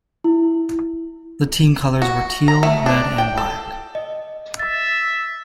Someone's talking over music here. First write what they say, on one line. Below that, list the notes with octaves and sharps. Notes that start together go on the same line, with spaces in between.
The team colors were teal, red and black.
E4
F#4
A#5
A3
D4
G5
A4
D#5
E5 A6